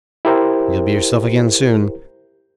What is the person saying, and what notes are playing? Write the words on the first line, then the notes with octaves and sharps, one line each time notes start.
You'll be yourself again soon.
E4 G4 A#4 C5